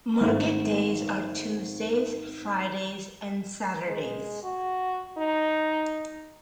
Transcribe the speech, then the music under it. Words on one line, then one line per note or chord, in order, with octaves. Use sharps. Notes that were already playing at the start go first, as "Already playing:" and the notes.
Market days are Tuesdays, Fridays and Saturdays.
G#1 A3
G#3
F#4
D#4